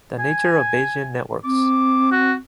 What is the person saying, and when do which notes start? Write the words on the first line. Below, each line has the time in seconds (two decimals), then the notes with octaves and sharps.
The nature of Bayesian networks.
0.19 G#5
1.44 C4 D6
2.11 F#4